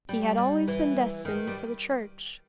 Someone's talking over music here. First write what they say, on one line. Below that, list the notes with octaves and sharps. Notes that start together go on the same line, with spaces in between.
He had always been destined for the church.
G3
G3
E3
D#3
G3